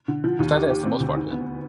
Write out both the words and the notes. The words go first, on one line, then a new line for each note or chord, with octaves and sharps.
I think that's the most part of it.
D3
F3
D#2
G4
G4
C4
D2
D#3
B3